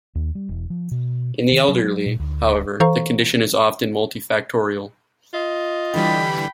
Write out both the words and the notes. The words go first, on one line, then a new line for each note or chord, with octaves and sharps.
In the elderly, however, the condition is often multifactorial.
D#2
G3
E1
F3
B2
D#3
F#3
A#2
D2
D1
E3 A4 C5 F5 A#5 C#6
F4 D#5
D3 E3 G3 G5 B5